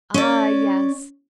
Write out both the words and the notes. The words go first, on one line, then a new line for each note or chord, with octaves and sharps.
Ah, yes.
C#4 D5